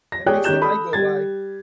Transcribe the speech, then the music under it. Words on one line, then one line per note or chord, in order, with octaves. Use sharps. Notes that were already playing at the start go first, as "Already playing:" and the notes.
It makes the night go by.
A#6
G4 G#4 C#5 D5 G5 F#6
D#3 C#4 G4 F#6 G6 E7
A4 B5 D#6
G3 G#6 A6